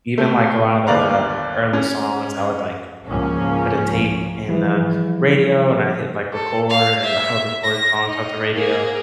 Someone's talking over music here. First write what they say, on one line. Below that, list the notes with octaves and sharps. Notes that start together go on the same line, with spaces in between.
even, like, a lot of the early songs, I would, like, um, put a tape in the radio, and I hit, like, record, and I would record songs off the radio.
A3
G1 D#2 B4 D5 F5 A#5
C#4
C#2 G#2 F3 A#3 C#4
E3 F3 G3 G#4
A4
F5
E5
A#6
D#4
A#3 G#4